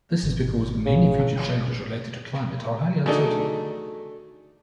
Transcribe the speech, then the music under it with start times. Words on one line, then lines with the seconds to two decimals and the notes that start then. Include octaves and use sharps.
This is because many future changes related to climate are highly uncertain.
0.23 G#1
0.85 C#3
3.06 A3 D4 D#4 F#4 G#4 A4